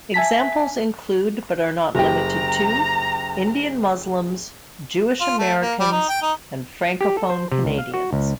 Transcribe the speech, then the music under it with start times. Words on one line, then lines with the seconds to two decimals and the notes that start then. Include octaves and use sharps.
Examples include, but are not limited to, Indian Muslims, Jewish Americans, and Francophone Canadians.
0.14 E5 G#5 A5 B6
1.95 F#1 G4 A#5
5.21 F4
5.39 A3
5.61 A#3
5.80 G3
5.92 D#4
6.09 G5
6.22 D#4
7.01 G4
7.17 A4
7.30 C5
7.52 C3
7.65 C#2
7.78 F5
7.94 F#4
8.13 C#2